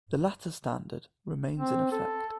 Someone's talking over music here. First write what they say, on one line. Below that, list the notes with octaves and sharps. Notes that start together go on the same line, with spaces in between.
The latter standard remains in effect.
C4
A4